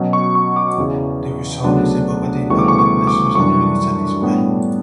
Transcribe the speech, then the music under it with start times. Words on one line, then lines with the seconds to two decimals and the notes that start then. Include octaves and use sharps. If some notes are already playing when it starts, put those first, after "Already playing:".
The result is evocative but not necessarily satisfying.
Already playing: B2 F#3 C#4
0.13 C#6
0.35 C#6
0.56 D6
0.78 E2 C#3 E3
1.64 D2 C#3 F#3 B3 D4
2.50 D2 C#3 E3 G3 B3 C#6
2.59 D6
2.68 C#6
2.79 C#6
3.07 D6
3.35 F#2 E3 G3 D4 C#6
4.22 A2 G3 B3 D4